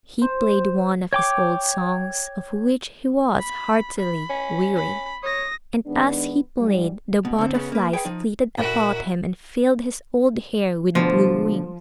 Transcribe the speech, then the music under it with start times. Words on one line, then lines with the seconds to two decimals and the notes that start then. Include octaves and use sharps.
He played one of his old songs, of which he was heartily weary, and, as he played, the butterflies flitted about him and filled his old hair with blue wings.
0.22 C5
1.13 C#5 G5 D6
3.38 B5
3.99 B5
4.30 C#4
4.76 B5
5.23 C#5 D#6 A#6
5.87 D#3 G#3 B3 D4
6.58 G#2 G3
7.25 B2
7.38 D3 C4
7.55 C#3 B3 C#4
7.72 A#3 B4
7.93 G#4 B4 G5
8.05 F3 D#4
8.57 A#2 E4 F#4 A#4
10.95 D2 B2 D3 F3